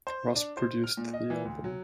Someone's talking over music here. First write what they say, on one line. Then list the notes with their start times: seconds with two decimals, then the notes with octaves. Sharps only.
Ross produced the album.
0.07 C5
0.36 D4
0.57 C5
0.84 F6
0.97 A#2
1.13 D#5
1.30 E3
1.45 D2
1.64 F#3